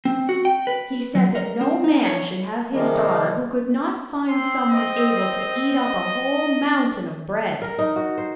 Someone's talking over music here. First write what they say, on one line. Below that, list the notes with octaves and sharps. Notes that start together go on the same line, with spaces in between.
He said that no man should have his daughter who could not find someone able to eat up a whole mountain of bread.
C4
F#4
G5
B4
F#3
A#4
C4
D#4
C#5
C3 D#3 F3 G3 G#3 A#3
C4 C6
D#5
A#4
D#4
F#4
C5